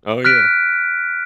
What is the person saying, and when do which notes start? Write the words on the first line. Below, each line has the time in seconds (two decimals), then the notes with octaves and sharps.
Oh, yeah.
0.25 F6 F#6 B6 D7